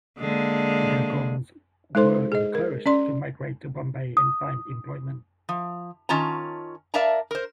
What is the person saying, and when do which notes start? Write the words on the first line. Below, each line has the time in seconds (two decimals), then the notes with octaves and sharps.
The Goans were encouraged to migrate to Bombay and find employment.
0.18 D3 G#3 A#3
1.95 G#3 D#4 A4 C5 C6
2.32 G#4 D#5
2.55 A#4
2.86 C#4 D5 C6
4.17 D#6
5.49 F3
6.09 D#3 C#4 F4 A5 A#5
6.94 A#4 D5 E5 F5 A5 A#5
7.31 A#4 C5